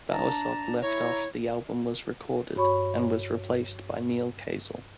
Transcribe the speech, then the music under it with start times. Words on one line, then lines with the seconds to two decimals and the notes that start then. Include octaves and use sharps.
Bowersock left after the album was recorded, and was replaced by Neal Casal.
0.12 D4 A5 A#5
0.82 E4 C#5 A#5
2.56 G2 F#4 C#5 B5 C#6